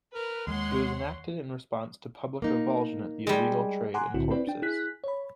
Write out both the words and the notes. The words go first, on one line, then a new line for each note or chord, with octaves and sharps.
It was enacted in response to public revulsion at the illegal trade in corpses.
A#4 B4
D#2 G#3 C#5 F#5 C6
A#3 D#4
G3 G#3
F#5 G#5 A#5 C6 D6 F#6
C2 A2 D3 C4 E4 F#4
C4 E4 G4 B4 D5
D4 G5
E4 G#4 F#6 B6
C#5 B5